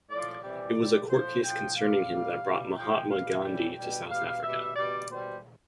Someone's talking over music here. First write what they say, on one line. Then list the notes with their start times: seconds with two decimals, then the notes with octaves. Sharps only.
It was a court case concerning him that brought Mahatma Gandhi to South Africa.
0.10 A2 F3 D5
0.43 C3 E3 G3 D5
0.77 A2 G3
1.10 A2 F3 C5
1.43 A2 F3 G5
1.76 C3 G3 F5
2.10 A2 E3 G3
2.43 B2 G3
2.76 A2 F3 G5
3.09 B2 G3 F5
3.43 A2 E3 G3 G5
3.77 B2 G3
4.10 B2 G3 F5
4.43 B2 G3 E5
4.76 B2 G3 D5
5.09 B2 G3 C5